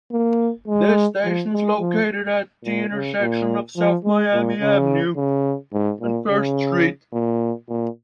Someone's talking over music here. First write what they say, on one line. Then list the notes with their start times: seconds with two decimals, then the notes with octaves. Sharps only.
This station is located at the intersection of South Miami Avenue and First Street.
0.12 A#3
0.67 G#3
1.24 F3
1.53 G#3
1.80 F3
2.64 A#2
2.92 C#3
3.21 A#2
3.77 F3
4.04 G#3
4.33 A#2
4.61 C#3
5.17 C#3
5.73 G#2
6.01 A#2
6.29 C#3
7.13 A#2
7.69 A#2